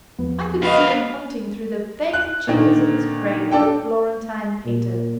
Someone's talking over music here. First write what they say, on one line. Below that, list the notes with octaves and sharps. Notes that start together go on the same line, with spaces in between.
I could see him hunting through the vacant chambers of his brain for a Florentine painter.
E2 F3 B3
C4 F#4 B4 D#5 F5
F#6
A#2 D3 D#3
D4 A4 G5
A#2